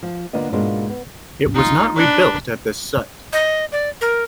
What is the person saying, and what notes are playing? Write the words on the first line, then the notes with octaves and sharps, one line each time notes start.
It was not rebuilt at this site.
F3 F4
D3 A#3 B3 D4 F4 D#5
G#2 B2 G#3 A#3 D4 F4
B3
D#4 F4
D4 B4
D#5
D5
A#4